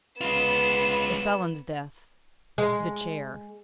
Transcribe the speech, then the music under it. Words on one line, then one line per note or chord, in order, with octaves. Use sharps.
A felon's death--the chair!
G#3 B3 F4 E7
G#3